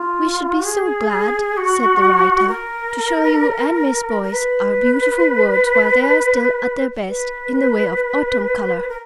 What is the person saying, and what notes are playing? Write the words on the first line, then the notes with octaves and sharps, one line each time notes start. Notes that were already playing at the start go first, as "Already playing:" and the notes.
"We should be so glad," said the writer, "to show you and Miss Boyce our beautiful woods while they are still at their best, in the way of autumn colour."
Already playing: F4
G#4
F#4
A#4
A#4
B4
B4
A#4